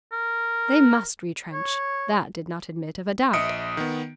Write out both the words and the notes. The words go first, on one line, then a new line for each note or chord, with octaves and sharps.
They must retrench; that did not admit of a doubt.
A#4
C#5
A#1 D#5 E5 D#6 C#7 D7
D#3 B3